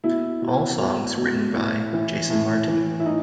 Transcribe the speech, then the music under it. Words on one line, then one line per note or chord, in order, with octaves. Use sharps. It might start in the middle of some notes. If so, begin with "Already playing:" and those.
All songs written by Jason Martin.
B2 E4
B2
B2
B2
A2
E3
A2
E3
E4
A2 D#4